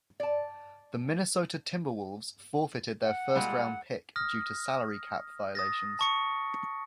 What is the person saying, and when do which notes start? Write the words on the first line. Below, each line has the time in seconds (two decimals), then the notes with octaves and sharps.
The Minnesota Timberwolves forfeited their first-round pick due to salary cap violations.
0.20 D5 A5
3.04 F#5
3.35 A#2 G3 G#3
4.16 D#6 F6 A#6
5.55 D#6 A6 A#6
5.99 A5 C#6 C#7